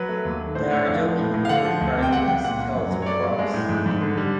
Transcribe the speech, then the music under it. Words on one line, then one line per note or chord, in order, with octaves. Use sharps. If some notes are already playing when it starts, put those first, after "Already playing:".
They are jokingly referred to as “toads” or “frogs”.
Already playing: F#3 B4
A3
D#2
D#3
A2 C5
A2 C#5
F2 F5
F3
A2
A2
F5
D3 F#5
F3
D2
C3
G5
C#2 F#5
C#2 G5
A#2 F#5
A#2
F#2
F#3
C#5
A3 D5
G2
G#3
A2
G#2
G#2
D3
G3